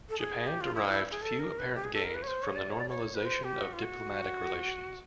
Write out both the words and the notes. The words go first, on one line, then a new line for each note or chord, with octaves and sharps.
Japan derived few apparent gains from the normalization of diplomatic relations.
A4
G#4
G4
F4
E4
E4
G#4
A4
A#4
B4
G4
G#4
A4
A#4
B4
C#5
C5
C#5
D5
C#5
D5
C#5
B4
C5
G4
F#4
F4
F#4